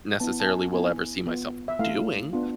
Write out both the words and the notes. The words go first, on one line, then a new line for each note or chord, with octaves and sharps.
necessarily will ever see myself doing,
B3 E4 A5
A5
G#5
B3 E4 G#5
B3 F4
E5
A3 E4 F5
B3 D4 F4